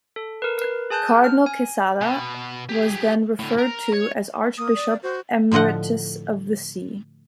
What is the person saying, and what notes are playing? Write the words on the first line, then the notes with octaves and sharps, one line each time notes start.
Cardinal Quezada was then referred to as Archbishop Emeritus of the see.
A4
A#4 B4
A#4 B4
G#4 G#5 A5 F#6 G6
F6
G#5
B2
G4 G#4
A2 D3
A#4 A#5
C#5
A#3 D#6
D5
F#4 C5
A2 D3 F3 D#5 F#5